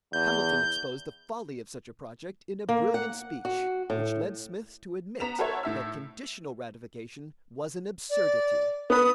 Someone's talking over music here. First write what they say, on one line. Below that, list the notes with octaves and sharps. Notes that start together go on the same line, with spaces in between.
Hamilton exposed the folly of such a project in a brilliant speech, which led Smith to admit that conditional ratification was an absurdity.
E2 G6
A#3
F#5
F#4
A2
B3 A#5 B6 E7 F7
F#4 A4 A#4 C5 C#5 E5
A2 E5 E6
D5
B3 B4 D#6